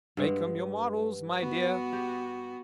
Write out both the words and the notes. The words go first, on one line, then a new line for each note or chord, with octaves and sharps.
Make 'em your models, my dear.
G2 G#3 B4 F#5
B3 F#4
G4